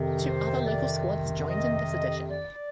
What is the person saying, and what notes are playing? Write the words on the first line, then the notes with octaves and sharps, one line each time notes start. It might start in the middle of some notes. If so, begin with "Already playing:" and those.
Two other local squads joined in this edition.
Already playing: F2 C3 D#3
C5
D5
D#5
D5